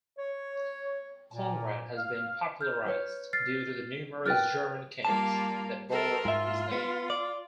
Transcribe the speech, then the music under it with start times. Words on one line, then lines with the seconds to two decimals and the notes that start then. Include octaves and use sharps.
Konrad has been popularized due to the numerous German kings that bore this name.
0.18 C#5
1.33 A#2
1.97 F5
2.61 F6 G6
2.86 B4 C#5
3.33 F6 A6 C7
4.26 A#4 B4 G5 F6 F#6 A6
5.05 G3 A#3 F4 A5
5.89 A4 A#4 C5
6.25 G#2 F4 E5
6.72 B3
7.10 D5